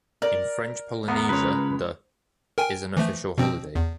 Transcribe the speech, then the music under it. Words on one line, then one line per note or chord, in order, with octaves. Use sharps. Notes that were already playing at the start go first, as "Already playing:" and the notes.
In French Polynesia, the...is an official holiday.
A#4 D5
E2 B3 A#4
C#2 G#3 B4 C#5
A#4 G5 G#5
E3 F3 A3
B2 F3 C4
E2